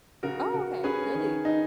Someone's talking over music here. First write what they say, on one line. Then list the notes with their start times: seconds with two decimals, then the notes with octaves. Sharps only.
Oh, okay. Really?
0.23 C#3 F#4 A#4
0.53 C#3 F#4 A#4
0.83 C#4 G#4 B4
1.14 D#3
1.45 D#4